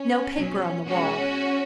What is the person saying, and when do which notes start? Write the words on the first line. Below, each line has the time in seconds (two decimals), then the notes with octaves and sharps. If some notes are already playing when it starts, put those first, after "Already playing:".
No paper on the wall!
Already playing: C#4
0.36 B2 F#3
0.87 B2 G#3 C#4 F#4